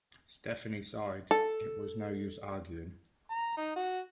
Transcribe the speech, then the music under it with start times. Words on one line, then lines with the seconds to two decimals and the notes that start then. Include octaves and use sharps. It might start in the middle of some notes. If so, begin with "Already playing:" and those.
Stephanie sighed; it was no use arguing.
1.31 A4
3.31 A#5
3.57 D#4
3.76 F#4